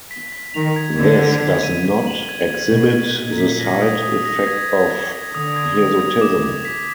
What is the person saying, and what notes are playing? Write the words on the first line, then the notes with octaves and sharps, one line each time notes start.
This does not exhibit the side effect of hirsutism.
B6
B6
D#3 F7
G#6
D3 G#6
G#6
G#6
D#7
G#6
F#7
G#6
G#6
B2 G#6
G#6
A#2 G#6
B6
A#6
D#6
D#6
A#6
G#6
G#6
G#6
G#6
D3 D#6
G#6
D#6
G#6
D6
D6
B6